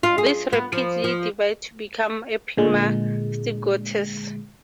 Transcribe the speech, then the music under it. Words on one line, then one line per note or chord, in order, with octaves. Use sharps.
These rapidly divide to become epimastigotes.
F4
G#4
B3
F3
F3
A#2 D3 G#3